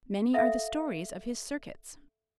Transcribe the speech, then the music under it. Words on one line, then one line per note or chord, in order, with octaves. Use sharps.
Many are the stories of his circuits.
A4 E5 F5